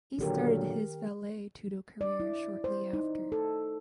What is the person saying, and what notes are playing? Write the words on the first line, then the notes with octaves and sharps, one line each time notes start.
He started his vale tudo career shortly after.
A#2 D3 D#3 F#3 G4 A#4
D5
E4
C5
D#4
A4